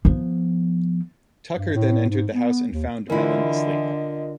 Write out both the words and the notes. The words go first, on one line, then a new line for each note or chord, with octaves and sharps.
Tucker then entered the house and found Mellon asleep.
F3 B3
G2
A2
G#2
B3
D#2
D3 E3 E4 F4 A#4 D#5